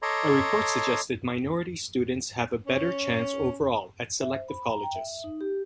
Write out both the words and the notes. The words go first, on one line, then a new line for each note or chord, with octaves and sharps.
A report suggested minority students have a better chance overall at selective colleges.
A4 C#5 D#5 A#5 C6 D6
C#4
E5
C5
B5
A#5
G5
E5
D#4
G4